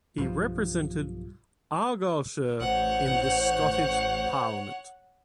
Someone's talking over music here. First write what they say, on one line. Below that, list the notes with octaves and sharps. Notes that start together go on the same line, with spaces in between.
He represented Argyllshire in the Scottish Parliament.
B1 G2 F3
A1 C5 C#5 F#5